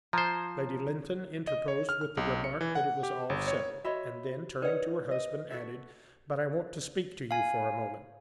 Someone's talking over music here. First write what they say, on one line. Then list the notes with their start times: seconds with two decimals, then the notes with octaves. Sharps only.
Lady Lynton interposed with the remark that it was all settled; and then, turning to her husband, added: "But I want to speak to you for a moment."
0.13 F3 C5 A#5 G#6 A6
1.47 D#5
1.68 C#5
1.89 F6
2.01 F6
2.17 B1
2.44 C#7
2.61 E3
2.75 F#5
3.03 G4
3.30 G1
3.48 C#5
3.84 F#4 C#5 D#5 E5 B5
4.62 D#4 A#4 B4 C#5 D5 F#5
5.11 D#5
5.51 F#4 A4 E5
7.31 F5 G#5